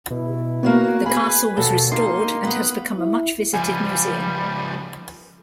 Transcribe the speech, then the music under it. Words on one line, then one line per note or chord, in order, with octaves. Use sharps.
The castle was restored and has become a much visited museum.
B2 E4
A#3 B3 F#4 C#5
G#4 B4 G#5 B5
D#2 B2 A4
D2 A#3 D#4 C6
B3 B4
E4
C#2 F3 G3 G#5